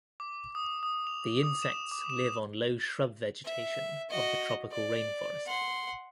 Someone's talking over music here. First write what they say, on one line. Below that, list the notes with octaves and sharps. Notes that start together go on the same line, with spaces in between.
The insects live on low shrub vegetation of the tropical rainforest.
D6
D#6
D#6
F7
F7
D#6
E7
D6
E7
E5
F#4 D#5
D5
F#5 C6